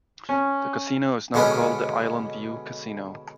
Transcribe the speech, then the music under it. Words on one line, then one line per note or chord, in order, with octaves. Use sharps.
The casino is now called the Island View Casino.
C#4
B2 D3 G#3 B3 C#4